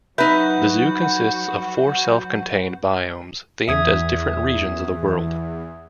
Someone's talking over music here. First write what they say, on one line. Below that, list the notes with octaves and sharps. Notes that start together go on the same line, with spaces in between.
The zoo consists of four self-contained biomes themed as different regions of the world.
F#3 D#4 F#4 B4 E5 G6
E2 E5 D#6 G#6